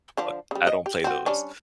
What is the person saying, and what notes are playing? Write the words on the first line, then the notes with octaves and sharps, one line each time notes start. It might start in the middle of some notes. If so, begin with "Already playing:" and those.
but I don't play those,
D3 F3 D4
C#3 G3
D#5
G4
C4 F#4
G3 C#4 D4